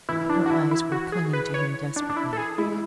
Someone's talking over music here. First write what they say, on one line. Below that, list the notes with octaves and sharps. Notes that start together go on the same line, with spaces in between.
Her eyes were clinging to him desperately.
E3 E4
D4
F#4
E4
E4
F#4
G#4
B4
C#5
D4
D4
E4
A4
G#4
G#3 E4